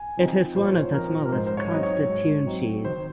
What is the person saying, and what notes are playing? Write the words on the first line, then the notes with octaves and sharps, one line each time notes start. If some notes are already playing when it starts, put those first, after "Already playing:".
It is one of the smallest constituencies.
Already playing: G#5
F3 C4 D#4
A#2 C5
C#5
C5
F3 C4 D#4 A#4
A#4
G#2 C5
C5
C#5
F#3 C4 D#4 D#5
C#5
G#2
F#3 C4 D#4
D#3 C5